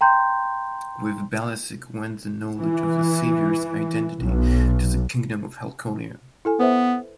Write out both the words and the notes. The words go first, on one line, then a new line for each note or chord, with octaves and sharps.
With Balasik went the knowledge of the savior's identity to the kingdom of Halconia.
G5 A#5 C6 G6
E3
B1
E4 A4 G#5
B3 B4 C5 E5